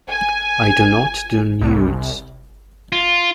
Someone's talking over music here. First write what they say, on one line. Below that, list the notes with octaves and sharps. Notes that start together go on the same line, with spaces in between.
I do not do nudes.
G#5
C2
F4